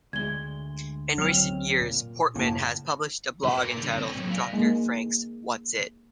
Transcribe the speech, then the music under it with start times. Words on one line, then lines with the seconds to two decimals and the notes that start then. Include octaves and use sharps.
In recent years Portman has published a blog entitled Doctor Frank's What's-It.
0.13 D2 G#3 G#6 G7
1.18 F#3 C4 F6 F7
1.81 A#2
2.36 F#2 A2 C#3 A#3 A5
3.44 B4 C5
3.58 A#2 A#4
3.77 D3 G3
3.98 C4 C#5
4.16 A#2 F#3
4.31 D5 F5
4.53 G#3 A#3